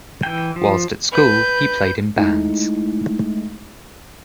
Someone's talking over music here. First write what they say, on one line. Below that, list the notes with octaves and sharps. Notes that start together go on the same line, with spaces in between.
Whilst at school he played in bands.
E3 G5
F3
B4 G6
G#3 A3 D#4 E4